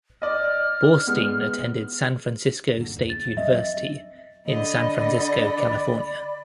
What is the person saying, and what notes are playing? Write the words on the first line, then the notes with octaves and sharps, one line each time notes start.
Borstein attended San Francisco State University in San Francisco, California.
D5 D#5 F6
G#3 B3
G2 D3 A#3
E2
A6
F#3 C4 D#5 E5
D3 D5 D#5 B5